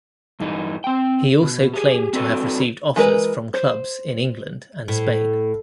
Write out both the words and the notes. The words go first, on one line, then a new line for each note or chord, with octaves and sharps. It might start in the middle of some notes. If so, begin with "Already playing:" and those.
He also claimed to have received offers from clubs in England and Spain.
G2 E3 D#4
C4 G5
B2
G4 G#4
C4 D4 F#4 A4 B4
E3 G#3 A#4 B4
C5
A2